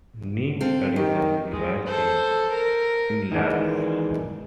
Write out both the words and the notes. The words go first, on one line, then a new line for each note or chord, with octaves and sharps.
New edition, revised and enlarged.
C4 A4 F5
D#3 G4
G#3
A4 C5
A#4
D#3 E3 G#3 D4